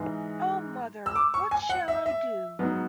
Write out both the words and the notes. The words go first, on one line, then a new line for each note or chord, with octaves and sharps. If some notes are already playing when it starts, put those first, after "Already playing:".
O mother, what shall I do?
Already playing: G#2 E3 G#3
E6
D6
C#6
G#5
F#5
E5
E5
G#2 F#3 B3